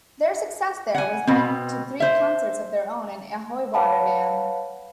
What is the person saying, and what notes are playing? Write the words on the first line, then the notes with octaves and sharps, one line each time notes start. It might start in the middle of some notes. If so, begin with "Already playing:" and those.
Their success there led to three concerts of their own in Ahoy Rotterdam.
F#5 G#5
B2 C4
C5 E5
B4 C#5 F5 F#5 A5 B5